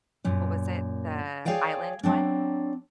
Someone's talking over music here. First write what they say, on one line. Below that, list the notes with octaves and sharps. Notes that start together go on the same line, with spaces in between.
what was it, the island one?
F#2 A#2
G#4 C#5 D5 F5 G5 G#5
F#3 C4 D4